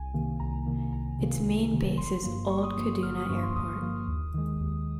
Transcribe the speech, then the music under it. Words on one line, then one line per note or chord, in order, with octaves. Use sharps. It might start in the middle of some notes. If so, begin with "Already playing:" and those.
Its main base is Old Kaduna Airport.
Already playing: C2 G#5
C3 D#3 A#3
C2 A#5
C3 D#3 A#3
C2 A#5
C3 D#3 A#3
C2
C3 D#3 A#3
G1 C6
G2 F3 A#3
G1 C#6
D#6
G2 F3 A#3 D#6
G1 F6
D#6
G2 F3 A#3 C#6
C6
G1 D#6
G2 F3 A#3
D#2
D#3 G#3
D#2